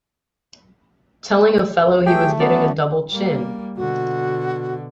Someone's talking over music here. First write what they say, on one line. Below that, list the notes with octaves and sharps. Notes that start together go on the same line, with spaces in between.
Telling a fellow he was getting a double chin!
F#3 A3 G4 G#4 G5
F#3 B3 C#4 D5
G3 A#3
B2 D3 F#4